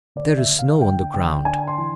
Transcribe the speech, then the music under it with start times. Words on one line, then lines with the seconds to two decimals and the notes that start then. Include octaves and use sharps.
There is snow on the ground.
0.16 D3 D5
0.37 E5
0.49 D3
0.59 F5
0.81 D4 G5
1.14 D3 G5
1.45 D4 G#5
1.67 C6
1.78 E3